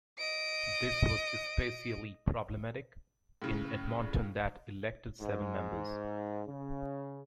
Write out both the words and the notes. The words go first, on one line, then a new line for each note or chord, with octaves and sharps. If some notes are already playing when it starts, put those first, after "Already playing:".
This was especially problematic, in Edmonton that elected seven members.
D#5 D7
A2 C#3
G#2
C#3